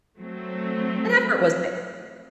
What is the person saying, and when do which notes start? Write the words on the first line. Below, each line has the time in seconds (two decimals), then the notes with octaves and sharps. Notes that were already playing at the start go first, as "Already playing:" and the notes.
An effort was made.
0.19 F#3 A3 C4